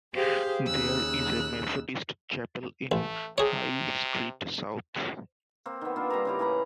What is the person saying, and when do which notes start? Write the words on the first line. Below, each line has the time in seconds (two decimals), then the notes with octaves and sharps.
There is a Methodist chapel in High Street South.
0.14 G4 G#4 C5 F5
0.66 D#2 C#3 E6 F#6
2.92 A1 A3
3.38 C3 G#4 C#5
5.66 A#3 C4
5.81 D#3 B3
5.96 A#3 C4 D4 F4
6.10 G3 G#4 A#5
6.25 C#3 E3 G4
6.39 A2 G#4 A#5 B5